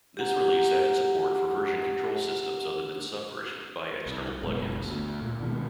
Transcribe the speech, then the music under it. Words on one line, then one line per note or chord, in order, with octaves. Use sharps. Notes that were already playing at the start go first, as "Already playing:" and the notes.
This release added support for version control systems other than Subversion by external plugins.
G4 F#5 A#5
C2
F#1 B2 G#3
D2
A#2
B2 D#3 G#3